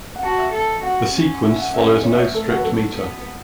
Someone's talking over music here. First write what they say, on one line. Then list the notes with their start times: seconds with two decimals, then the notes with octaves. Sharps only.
The "Sequence" follows no strict meter.
0.16 F#5
0.23 F#4 A5
0.38 E5
0.53 A4
0.83 F#4 F#5
1.14 C#4
1.43 C#4 E5
1.58 F#5
1.74 C#4 E5
2.04 B3 C#5
2.12 E5
2.19 C#5
2.34 A3 A4
2.49 F#4
2.58 B4
2.64 F#3 A4
2.95 B3